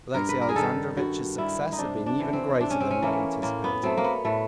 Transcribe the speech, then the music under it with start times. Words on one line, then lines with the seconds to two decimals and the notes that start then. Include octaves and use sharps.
Alexey Alexandrovitch's success had been even greater than he had anticipated.
0.14 G2 A#4
0.29 B4
0.41 A#4
0.49 G#4
0.56 D#3 G3 A4
0.97 G2 F#4
1.38 D#3 G3 E4
1.72 D#4
1.78 C3 D4
2.06 D4
2.20 E3 A3
2.33 C4
2.60 C3 D4
2.70 C#4
2.80 C4
2.91 C#4
3.02 E3 A3 A#3
3.42 A2 A#3
3.64 B3
3.83 F#3 A3 C4
3.97 A#3
4.04 B3
4.25 A2 A3